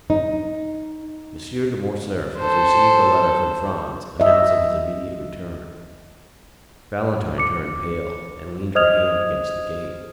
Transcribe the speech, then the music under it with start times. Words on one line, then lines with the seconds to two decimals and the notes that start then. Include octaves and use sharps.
"Monsieur de Morcerf has received a letter from Franz, announcing his immediate return." Valentine turned pale, and leaned her hand against the gate.
0.10 D#4
2.37 A4 C5
4.20 D#5 E5
7.38 D6 C#7
8.75 C5 D#5 D#6 F6 G#6 F7